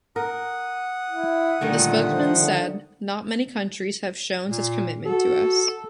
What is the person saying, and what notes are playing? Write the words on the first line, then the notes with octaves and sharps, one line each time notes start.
The spokesman said that "not many countries have shown such commitment to us".
A#4 F#5 D#6
E4
A#2 D3 D#3 G3 A3
F3
D3
A#2
F#4 A4